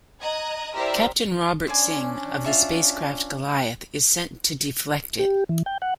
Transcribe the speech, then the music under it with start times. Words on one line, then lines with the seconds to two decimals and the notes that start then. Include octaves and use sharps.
Captain Robert Singh of the spacecraft "Goliath" is sent to deflect it.
0.21 D#5 A#5 D#6 F#6 G#6
0.74 E4 G4 A#4 C5 D5 E5
1.68 C#4 D4 C5 D5 G#5
2.44 F4 E5 C#6
5.19 G4
5.49 E3
5.66 G5
5.82 F#5